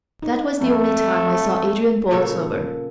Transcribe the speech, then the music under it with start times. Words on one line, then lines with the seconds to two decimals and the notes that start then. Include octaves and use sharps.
That was the only time I saw Adrian Borlsover.
0.22 D#4
0.61 F2 A3
2.11 A#2 C#3 A4 C#5